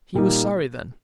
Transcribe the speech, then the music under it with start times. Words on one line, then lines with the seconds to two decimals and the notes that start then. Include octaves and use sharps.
He was sorry then.
0.14 A#2 G3 A#3 D#4